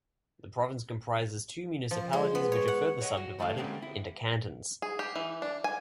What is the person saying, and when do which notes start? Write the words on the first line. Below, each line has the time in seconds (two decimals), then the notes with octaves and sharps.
The province comprises two municipalities which are further subdivided into cantons.
1.91 F3
2.13 G#3
2.35 B3
2.52 C#5
2.68 F#5
3.00 G2 C#5 D#5 F#5
3.17 F#4
3.39 C#2 D#3 A3 E4 E5 F5
3.57 D3 G3 G#3 A#3 C4 C#4
3.82 E4
4.82 G#4
4.99 G4
5.16 E3
5.42 D4
5.64 G#5